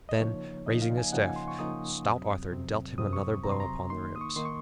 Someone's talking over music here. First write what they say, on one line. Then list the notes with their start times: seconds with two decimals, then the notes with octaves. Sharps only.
Then, raising his staff, stout Arthur dealt him another blow upon the ribs.
0.09 D#5
0.20 C#3 F3 A#3 D#4 C#5
0.66 C#3 F3 A#3 D#4 D#5
0.82 F5
0.97 G#5
1.13 C#3 F3 A#3 D#4 F#5
1.24 G#5
1.36 C6
1.48 C#6
1.59 C#3 F3 A#3 D#4 D#6
2.05 F2 C3 F#3 C4
2.51 F2 C3 F#3 C4
2.98 F2 C3 F#3 C4 D#6
3.13 C#6
3.43 F2 C3 F#3 C4 A#5
3.52 C6
3.60 A#5
3.90 D#3 A#3 D#4 C6
4.16 D#6
4.21 C#6
4.36 D#3 A#3 D#4 C6
4.45 C#6